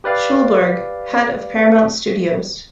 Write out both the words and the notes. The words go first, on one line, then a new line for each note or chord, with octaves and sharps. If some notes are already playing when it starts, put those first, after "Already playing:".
Schulberg, head of Paramount Studios.
G4 B4 D5 F5